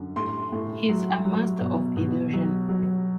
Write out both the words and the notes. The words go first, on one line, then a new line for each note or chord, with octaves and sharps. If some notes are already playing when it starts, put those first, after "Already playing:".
He is a master of illusion.
Already playing: F#2 D3
A2 C6
A2
F#3
F#3
B2
B2
F#3
F#3